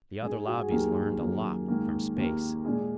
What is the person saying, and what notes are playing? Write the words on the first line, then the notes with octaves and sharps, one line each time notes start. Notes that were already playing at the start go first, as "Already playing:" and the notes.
The other lobbies learned a lot from Space.
G#2 G#3 G#4
G#4
F#4
G#4
D#2 D#3 F#3 A#3 G#4
F#2 D#3 F#3 A#3
G#2 D#3 A#3
D#2 D#3 A#3
A#2 G#3 G#4